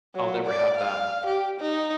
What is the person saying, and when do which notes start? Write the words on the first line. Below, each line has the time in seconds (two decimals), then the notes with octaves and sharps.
I'll never have that.
0.16 F#3
0.49 D5
0.78 F5
1.26 G4
1.61 D#4